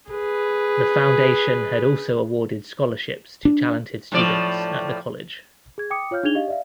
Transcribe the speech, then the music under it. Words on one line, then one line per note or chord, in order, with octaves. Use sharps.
The Foundation had also awarded scholarships to talented students at the college.
G#4 B4
D4
A2 F3 D5
G#4 G#6
G5 D6 D#6 C#7
F4 C#5 F5 F6 G6
D4 D#4 G#4 G#6 F7 G7
G4 D#5 F5
D5 E5 F5